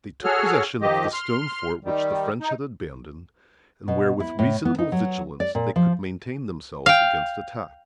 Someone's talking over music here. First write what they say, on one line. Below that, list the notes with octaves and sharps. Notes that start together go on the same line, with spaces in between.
They took possession of the stone fort which the French had abandoned, and where, with reasonable vigilance, they could maintain themselves against attack.
F#4 G#4 A4 C#5 F6
D#3 F3 G4 D#5
C6 F6
D#3 G3
D#4
B2
E4
A2
B3
D#4
F#3
D5
A#2
F3
F5 G5